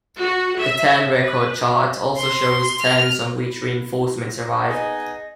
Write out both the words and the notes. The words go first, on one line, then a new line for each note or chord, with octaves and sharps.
The turn record chart also shows turns on which reinforcements arrive.
F#4
E5
B4
C6
F6
E4
B3 D#4 G#4 D#5